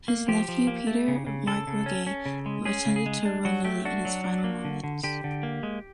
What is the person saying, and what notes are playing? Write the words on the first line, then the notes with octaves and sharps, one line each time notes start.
His nephew Peter Mark Roget attended to Romilly in his final moments.
A#3
F3 G4
F3
A#3
A3
C#3
C#3
C#3 A4
C#3
C#4
C#4
C#3
G#3
C#4 G#4
C#3
G#4
G#3
D4
F#3 F#4
A3 G4
D4 F#4
F#3
D4
A#3
D3
D3
D3 G4
D3
A#3
G#3